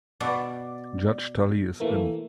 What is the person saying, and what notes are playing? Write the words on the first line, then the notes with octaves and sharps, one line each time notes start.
Judge Tully is in.
B2 D5
E3 A3 A#3